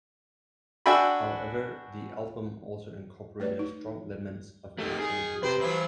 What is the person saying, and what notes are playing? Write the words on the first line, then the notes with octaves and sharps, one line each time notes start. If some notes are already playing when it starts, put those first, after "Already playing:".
However, the album also incorporated strong elements of electronic music.
D4 F#4 E5 G5 G#5 B5
A3 B4 C#5 D5
D#4
A3 A#3 D#4 G4
D#3 G#4
C3 G4 B4 C5
E3 F#3 C5 E5 B5